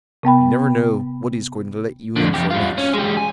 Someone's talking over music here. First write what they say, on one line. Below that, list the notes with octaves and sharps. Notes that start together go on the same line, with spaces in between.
You never know what he's going to let you in for next.
C3 B3 G5 B5
F2 D3
F2 G4
G3 F4
C#4
G#3 G4
G#5